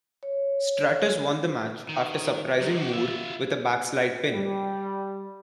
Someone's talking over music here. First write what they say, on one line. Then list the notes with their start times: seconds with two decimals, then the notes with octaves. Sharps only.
Stratus won the match after surprising Moore with a backslide pin.
0.23 C#5
1.89 D#3
2.61 F#3 G#3
2.79 F#4 G4
2.93 F4 E5
4.32 G3